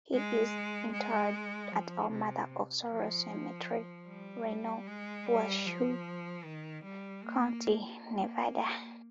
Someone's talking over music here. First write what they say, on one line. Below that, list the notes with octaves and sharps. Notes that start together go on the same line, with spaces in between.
He is interred at Our Mother of Sorrows Cemetery, Reno, Washoe County, Nevada.
G#3
G#3
F3
C3
F3
G3
G#3
G3
F3
D#3
G3
A#3
A#3